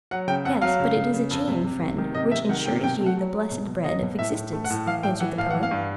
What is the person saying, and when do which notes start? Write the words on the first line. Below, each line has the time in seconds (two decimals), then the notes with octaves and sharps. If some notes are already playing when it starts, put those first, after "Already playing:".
"Yes; but it is a chain, friend, which ensures you the blessed bread of existence," answered the poet.
0.11 F#3 F#5
0.28 C#3 G5
0.45 F2 F#5
0.62 F#3 F5
0.80 C#3
0.96 C#3
1.14 C#3
1.31 F2
1.48 C3
1.64 C3
1.81 C3
1.98 D#3
2.15 C3 D#5
2.31 C3 E5
2.49 D#3 F#5
2.65 C3 G5
2.83 B2 G5
3.01 A3
3.06 F#5
3.17 F#3
3.34 F#3
3.51 B2
3.68 B2
3.84 F#3 D#5
4.02 B2
4.19 A2 E5
4.35 A2
4.53 A3
4.64 F#5
4.70 A2
4.86 E3 F5
5.03 A2 G5
5.20 E3 F#5
5.38 A2 F5
5.50 E3 F#5
5.63 F5
5.71 G2